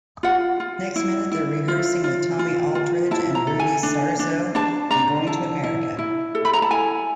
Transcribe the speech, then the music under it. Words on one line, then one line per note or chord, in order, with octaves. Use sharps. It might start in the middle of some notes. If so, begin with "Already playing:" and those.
Next minute, they're rehearsing with Tommy Aldridge and Rudy Sarzo, and going to America.
F4 F#5
F4
E4
E4
F4
F4
F4
F4
E4 A5
A#5
A4
G#5
D4
D4
D4 A5
D4 A#5
E4 A5
E4
E4
A4
B5
A#5
A5
E4 G#5